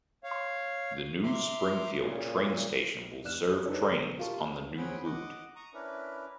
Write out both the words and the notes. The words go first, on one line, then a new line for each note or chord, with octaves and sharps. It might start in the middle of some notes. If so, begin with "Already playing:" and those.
The new Springfield train station will serve trains on the new route.
C#5 F5
E5 A#5 C6 D6
A#2 C#3
F1 C3 D5 F6 F#6 E7
D4 D#4 G4 A#4 B4 C#5
D3 G#4 A#4
F4 G4 A#4 A5 C#6
C4 C#4 G#4 F#5 G5 B5
D#5 F#5 D6
A#5 C#6 D#6
C#4 D4 E4 A#4 B4